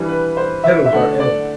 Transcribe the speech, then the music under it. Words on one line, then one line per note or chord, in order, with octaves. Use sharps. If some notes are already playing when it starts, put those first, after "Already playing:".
The petals are edible.
Already playing: E3 G3 D4
B4
C5
E5
E5
D3 A3 D4 F#5
D5